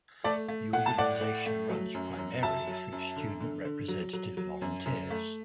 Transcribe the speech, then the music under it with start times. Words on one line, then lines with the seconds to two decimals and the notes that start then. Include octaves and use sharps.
The organization runs primarily through student representative volunteers.
0.24 A3 A4 D5
0.49 A3
0.73 A2 F#5
0.86 A5
0.98 A2 D5 F#5
1.21 A2
1.46 A3
1.70 F#3
1.94 F#2
2.18 F#2
2.43 F#3 E5 A5
2.67 F#3
2.92 F#2
3.16 D3
3.40 D3
3.65 D3
3.88 F#3
4.13 F#3
4.37 F#3
4.62 F#2
4.86 F#2
5.11 A3